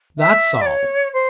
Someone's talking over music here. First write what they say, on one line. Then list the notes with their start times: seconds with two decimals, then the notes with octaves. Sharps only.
That's all.
0.19 E5
0.61 D5
0.66 C#5
1.13 C5